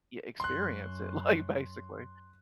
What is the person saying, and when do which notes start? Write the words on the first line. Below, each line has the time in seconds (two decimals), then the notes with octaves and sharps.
yeah, experience it, like, basically
0.40 F#2 C6 F#6